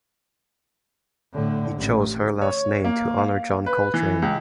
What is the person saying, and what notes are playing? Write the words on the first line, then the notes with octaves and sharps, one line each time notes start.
He chose her last name to honor John Coltrane.
A2 D3
A1
C#5
A#3
F5
B4
E3
C#2